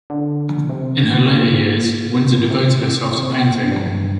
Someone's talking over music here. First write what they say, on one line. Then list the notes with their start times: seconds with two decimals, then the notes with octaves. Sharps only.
In her later years, Windsor devoted herself to painting.
0.10 D3
0.69 C3
1.30 A#2
2.50 C3
3.12 C3
3.71 G2